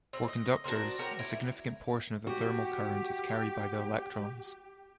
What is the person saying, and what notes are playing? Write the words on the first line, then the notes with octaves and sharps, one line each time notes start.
For conductors, a significant portion of the thermal current is carried by the electrons.
C4
D#5
D4 F#4 A#4 C5
F#4 G4 A#4 C#5
E4
F#4 G4